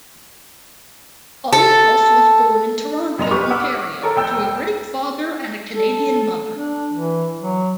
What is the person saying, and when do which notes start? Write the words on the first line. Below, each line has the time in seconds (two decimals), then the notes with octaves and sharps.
Colicos was born in Toronto, Ontario, to a Greek father and a Canadian mother.
1.53 A4
3.18 F1 F#2 A#2 D#5 C6 F7
3.31 G4 B4 C#6 F6
3.50 F#5 C#6 D6 E6 F6
4.02 A4 A#4 C#5
4.16 F1 G5 E6 G6
5.76 A4
6.56 D4
6.92 E3
7.40 F#3